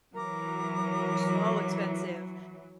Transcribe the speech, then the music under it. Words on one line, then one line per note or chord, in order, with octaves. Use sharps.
So expensive.
E3 F#3 A#4 A#5 D6